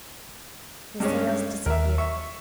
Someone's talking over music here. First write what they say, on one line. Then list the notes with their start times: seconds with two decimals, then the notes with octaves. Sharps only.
The sails disappeared.
1.00 G2 G#3 C#4
1.66 D#2 A#4 E5
1.98 E5 C#6